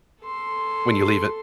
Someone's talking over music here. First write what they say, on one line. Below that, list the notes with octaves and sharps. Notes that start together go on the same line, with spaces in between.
when you leave it
A4 C6